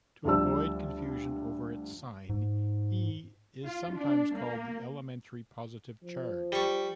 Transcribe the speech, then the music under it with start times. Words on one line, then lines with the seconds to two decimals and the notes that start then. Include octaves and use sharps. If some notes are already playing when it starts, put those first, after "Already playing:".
To avoid confusion over its sign, "e" is sometimes called the elementary positive charge.
0.25 D2 F3 G3 A5 E6
2.29 G#2
3.64 F4
3.94 D4
4.37 A#3
6.04 F3
6.52 G3 C#6